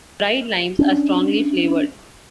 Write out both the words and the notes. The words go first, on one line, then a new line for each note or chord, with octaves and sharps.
Dried limes are strongly flavored.
C#4 D4